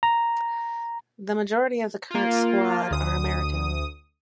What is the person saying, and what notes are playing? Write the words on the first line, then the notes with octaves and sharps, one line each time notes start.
The majority of the current squad are American.
A#5
A#3 F4
D2 D#6